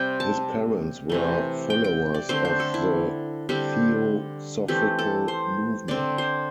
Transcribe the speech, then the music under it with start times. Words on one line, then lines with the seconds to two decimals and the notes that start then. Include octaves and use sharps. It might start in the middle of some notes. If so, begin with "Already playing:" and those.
His parents were followers of the Theosophical movement.
Already playing: C3 G3 C4 G5
0.20 A5
1.10 C3 E3 A3
1.70 G5
1.84 G5
2.14 D5
2.29 D3 A3 C4 C5
2.45 C5
2.60 A4
2.74 E4
3.49 D3 G3 C4 G4
4.68 E3 A3 C4 G4
4.99 A4
5.28 C5
5.88 D3 C4 D5
6.18 C5